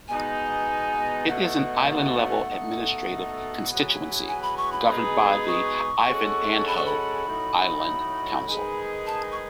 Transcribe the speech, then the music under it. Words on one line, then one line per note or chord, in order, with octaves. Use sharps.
It is an island-level administrative constituency governed by the Ihavandhoo Island Council.
B2 G#3 B3 D#4 G#5
B2 A3 D#4 F#5
B2 A3 D#4 A4
F#3 B3 E4 G#4 B4
G#5
B5
C#6
B5
B2 G#3 D#4 G#4 B4
C#6
G#3 C#4 F#4 A4
B5
C#6
B5
A2 F#3 A3 D#4
D#3 G#3 D#4 G#4 B4
A5
C#6